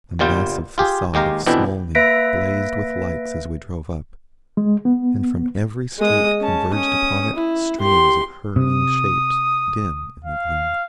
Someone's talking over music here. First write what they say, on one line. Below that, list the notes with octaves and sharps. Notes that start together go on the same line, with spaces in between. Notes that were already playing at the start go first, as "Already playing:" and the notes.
The massive facade of Smolny blazed with lights as we drove up, and from every street converged upon it streams of hurrying shapes dim in the gloom.
G1 A#2 G3 F4 G5
F4 G4 G#4
D#2 G#3 G4 F5 A#5
F2 B2 E3 D4 E4 G5
A#3 B4 E5 A#6 B6 D7
G#3
B3
G#3 D#6
C#4 A5
C#4 D#6
E4
G4 C6
C3 D#6
F5